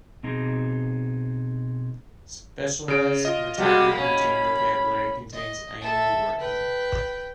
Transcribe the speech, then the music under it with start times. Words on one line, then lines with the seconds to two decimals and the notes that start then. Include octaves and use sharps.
Specialized Matagi hunting vocabulary contains Ainu words.
0.23 B2 C4 D#4 G#4
2.88 C#3 D7
3.25 F4 D#5
3.58 G3 G#3 A#3 F#4
3.93 A#3 C#4 B5
5.33 D#5
5.81 A4 E5
6.39 B4 G5